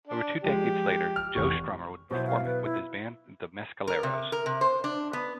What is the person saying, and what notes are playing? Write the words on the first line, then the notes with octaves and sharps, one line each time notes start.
Over two decades later, Joe Strummer would perform it with his band the Mescaleros.
D4
F3 G#3 G4
F6
F1 E3 C#6
B2 F#3 E4 C5
F5
B4
E4
A#4
C3
A#4
C3
C5
D4
B3